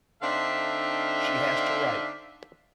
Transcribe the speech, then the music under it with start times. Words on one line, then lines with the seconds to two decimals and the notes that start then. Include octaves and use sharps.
She has to write.
0.22 D3 C4 D4 D#4 E5 F5